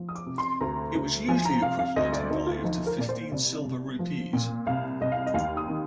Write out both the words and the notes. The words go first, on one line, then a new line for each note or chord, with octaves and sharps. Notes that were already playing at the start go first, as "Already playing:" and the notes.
It was usually equivalent in value to fifteen silver rupees.
Already playing: F3
D#6
D6
C3
C6
D2 A#5
D2
F3 G#5
A#5
C3 F5
F5
D2 D#5
D5
D2 D#4
F4
F3 D#4
A#4
A#2 D5
C5
C2 D5
C2
F3
A#2
C2 F5
C2 D#5
F5
D#5
D#2 F5
D#6
D#3